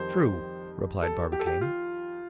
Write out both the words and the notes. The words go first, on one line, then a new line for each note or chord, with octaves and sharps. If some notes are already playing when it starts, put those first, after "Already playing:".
"True," replied Barbicane.
Already playing: F2 D#3 G3 C5
A4
G4
A4
G4
F4